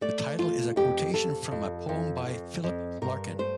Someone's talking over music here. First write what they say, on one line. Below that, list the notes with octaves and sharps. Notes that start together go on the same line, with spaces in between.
The title is a quotation from a poem by Philip Larkin.
A3 D5
F2 F4
F2 G4
F2 A4
F2
F2
F2
F2
G2 A#4
A3 C5